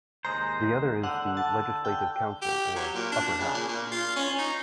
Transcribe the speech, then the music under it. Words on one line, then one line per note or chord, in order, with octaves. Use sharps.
The other is the Legislative Council or Upper House.
D#2 G#3 C5 A#5
D3 F#5
A5
G5
G4
F#3
A#2
D4
C#3
A#2
A#2
F4
C#4
D#4